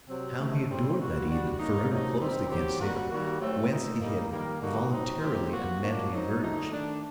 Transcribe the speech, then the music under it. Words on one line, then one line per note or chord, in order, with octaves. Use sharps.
How he adored that Eden forever closed against him, whence he had voluntarily and madly emerged!
C3 F#3 C4
C3 D#3 A3
A2 G3 C4
A#2 G3 A#3 F#4
G3 D4 F#4
F#3 A#3 D#4
C3 F#3 A3 D#4
C3 G3 C4 D#4 G4
D#3 F#3 C4 G4
G3 A#3 F#4
D#3 G3 A#3 F#4
A2 F#3 A3 C4
A#2 A3 D#4
A2 G3 A#3 D#4
D#3 G3 A#3
D3 G3 A#3 D#4 F#4
A#2 F#3 C4 D#4
A2 F#3 C4 D#4 G4
G3 A#3 F#4
A#2 F#3 A#3 D4
F#3 C4 D#4
D3 A3 D#4
D#3 A3 D4